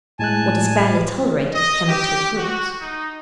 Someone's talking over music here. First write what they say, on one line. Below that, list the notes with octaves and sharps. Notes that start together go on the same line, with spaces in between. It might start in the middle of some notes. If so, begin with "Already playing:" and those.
What is barely tolerated cannot take root.
A2 G#3 G#5 A5 F#6
D#5
G4
F#4
D#4